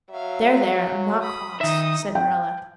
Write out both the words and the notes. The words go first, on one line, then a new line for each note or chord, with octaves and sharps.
"There, there, I'm not cross," said Marilla.
F#3 E5 F5
B5 D#6
D#3 D#4 E5 D#6
G5